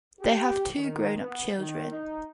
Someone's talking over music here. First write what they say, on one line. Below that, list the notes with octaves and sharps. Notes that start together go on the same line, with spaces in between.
They have two grown-up children.
G4
D#3
B3
D#3
D#4